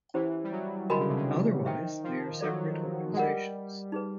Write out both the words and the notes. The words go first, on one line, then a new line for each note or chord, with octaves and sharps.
Otherwise, they are separate organizations.
E3 C#4 E4 G4 C5
G3
F#3
D3 F#4 A#4 D#5 G#5 B5
C#3
C3
C#3
D#3 C5 E5 G5
F3
F#3 F4 A4 D5
G#3
G3 A#4 D#5 F#5
D#4 G#4 B4